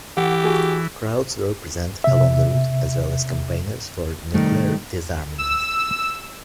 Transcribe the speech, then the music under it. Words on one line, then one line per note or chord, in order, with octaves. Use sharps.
Crowds were present along the route as well as campaigners for nuclear disarmament.
E3 G4 F#5
F#4 G#4
C3 E5
C3 D#3 G3 A3
E6